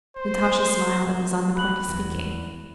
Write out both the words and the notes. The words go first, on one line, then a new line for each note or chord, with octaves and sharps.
Natasha smiled and was on the point of speaking.
C5
B5 F#6 F#7
E2